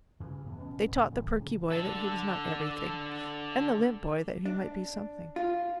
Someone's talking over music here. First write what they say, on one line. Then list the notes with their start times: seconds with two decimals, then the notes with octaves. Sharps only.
They taught the perky boy that he was not everything, and the limp boy that he might be something.
0.20 G2 C#3 E3
0.46 E2 A2 B3
0.58 B2 D3 C#4
0.87 D2 G#2 C#3
1.12 A2 D#3 F#3 G3
1.38 D2 C#3 F3 A#3
1.72 D3 A4
4.46 D4
5.36 F4